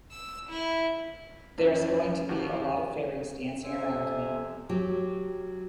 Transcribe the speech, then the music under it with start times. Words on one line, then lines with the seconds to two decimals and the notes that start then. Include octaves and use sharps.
There's going to be a lot of fairies dancing around me.
0.11 E6
0.49 E4
1.58 F2 C#4
2.29 D#2 F#3 G4
3.62 F2 C3 C5 E5 G#5
4.69 F#3 G4